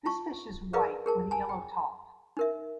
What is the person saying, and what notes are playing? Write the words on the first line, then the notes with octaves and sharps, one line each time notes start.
This fish is white with a yellow top.
F4 A5 C#6
G#4 A#4 B4 D5 D#5 F5
G#4 A#4 A5
G#5 A5
G5
D#4 A#4 E5